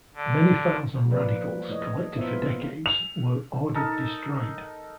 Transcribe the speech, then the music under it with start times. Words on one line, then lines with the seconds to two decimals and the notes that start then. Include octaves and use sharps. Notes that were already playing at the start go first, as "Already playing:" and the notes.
Many files on radicals, collected for decades, were ordered destroyed.
0.14 D3
1.10 F3 A#3 B4 D5
1.30 F3
1.69 C3 A3 E4 C#5 D#5
2.16 B3 E4 F4 A#4 C5 E5
2.40 A#3
2.86 F7
3.75 D#4 A4 A#4